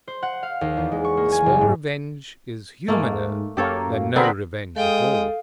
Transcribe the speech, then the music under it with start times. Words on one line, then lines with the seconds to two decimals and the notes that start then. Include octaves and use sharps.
A small revenge is humaner than no revenge at all.
0.08 C5
0.23 F#5
0.43 F5
0.61 D#2
0.77 E2
0.92 G#3
1.04 C#6
1.17 A#3
1.32 G#5
1.46 F#1
1.61 G#2
2.88 G#2 A3 A#3
3.57 F#2 A#3 G4 A4 C#5
4.16 D3 C4 G#4 A#4 B4 B5
4.76 G#3 A4 F5 G5 D#6